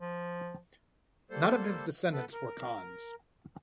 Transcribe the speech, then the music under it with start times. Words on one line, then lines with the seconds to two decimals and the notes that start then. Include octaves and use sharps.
None of his descendants were khans.
0.01 F3
1.31 G3 A#3 A4 C5
2.12 B3 A4 B4
2.33 A#4